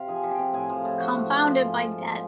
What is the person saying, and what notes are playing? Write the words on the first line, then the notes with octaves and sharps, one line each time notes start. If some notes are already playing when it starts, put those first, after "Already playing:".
Compounded by debt.
Already playing: C3 F4 F5
F3 G#4 G#5
F3
G4 G5
C3
A2 G#4 G#5
F3
A2
F3 F#4 F#5
A2
F3
F3
G#2
F3
G#2
F3